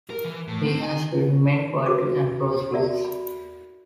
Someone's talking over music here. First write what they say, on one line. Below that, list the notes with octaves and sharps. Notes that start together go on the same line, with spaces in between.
He has written many poetry and prose books.
A#4
E3
A2
C4
G#5
F#4 A#4 B4 D6
F#4 A4 A#4 D5 E5
B5